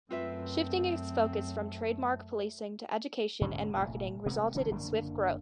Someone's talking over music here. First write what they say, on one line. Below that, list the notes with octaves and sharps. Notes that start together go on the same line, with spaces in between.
Shifting its focus from trademark policing to education and marketing resulted in swift growth.
F#2 A3 C4 F4 B4 E5
G#2 D3 C#4
F1 A#2 A3
C3 G#3 A3 B3
A#1 D3 E3 C#4
F#1 D3 A#3 D4